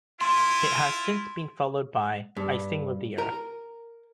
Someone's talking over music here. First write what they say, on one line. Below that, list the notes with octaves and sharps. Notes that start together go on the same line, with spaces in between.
It has since been followed by "I Sing with the Earth".
E4 F4 C6
G2
A#4